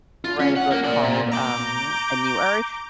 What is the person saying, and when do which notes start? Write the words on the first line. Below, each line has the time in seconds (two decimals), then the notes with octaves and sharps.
write a book called, um, A New Earth,
0.24 F4
0.40 C#4
0.56 F#5
0.71 A#3
0.84 A#3 D5
1.04 A#2
1.32 A#5 D6 G6